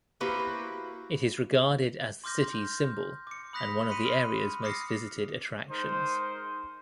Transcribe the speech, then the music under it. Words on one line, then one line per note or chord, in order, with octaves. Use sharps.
It is regarded as the city's symbol and one of the area's most-visited attractions.
A#3 E4 F#4 G4 B4 C5
C6 D6 F6 G6 A#6
D6 C#7
B5 D#6 F#6 A#6 B6 F7
B5 C6 F#6 B6 C#7 D#7
F6
D6 D#6 F6 A#6 C7 C#7
G#3 D#4 A#4 C5